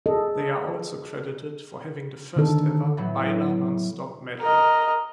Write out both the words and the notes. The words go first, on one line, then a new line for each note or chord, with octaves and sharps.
They are also credited for having the first ever baila non stop medley.
G#4 A4 D#5
D3 D#3 D#4 A4
A2 E3 F#3 B3
A#4 D#5